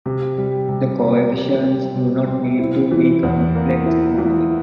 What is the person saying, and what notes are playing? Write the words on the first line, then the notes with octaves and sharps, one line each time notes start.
The coefficients do not need to be complex numbers.
C3
G3
C3
C4
C3
G3
C3
C4
E4
E3
E2
A#3
E4
E3